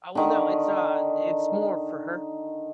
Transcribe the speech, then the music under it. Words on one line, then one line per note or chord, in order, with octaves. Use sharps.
Uh, well, no, it's, uh, it's more for her,
D3 D#3 C#6